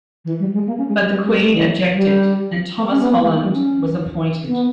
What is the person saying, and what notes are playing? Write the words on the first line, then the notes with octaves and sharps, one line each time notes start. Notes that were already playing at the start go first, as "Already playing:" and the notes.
But the Queen objected, and Thomas Holland was appointed.
E3
G3
G#3
A#3
C#4
G#3
G3
G3
G#3
G3
E3
G3
C#4
B3
A#3
G#3
A#3
G3
C#4
B3